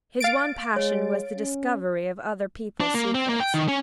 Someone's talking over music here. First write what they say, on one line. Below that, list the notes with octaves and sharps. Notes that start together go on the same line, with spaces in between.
His one passion was the discovery of other people's secrets.
F5 A6 D7
G#3 C#5
C#4
D4
A#3
C4
A#3
G5
D#3
C#4